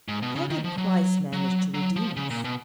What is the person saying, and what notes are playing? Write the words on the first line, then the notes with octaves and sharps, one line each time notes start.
How did Christ manage to redeem us?
G#2
B2
C#3
D#3
F3
F#3
F#3
F#3
F3
C#3
A#2
B2